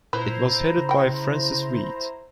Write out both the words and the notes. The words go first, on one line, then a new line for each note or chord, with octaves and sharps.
It was headed by Francis Wheat.
A#2 E4 B4 C5 A#5
C#3
G5 B5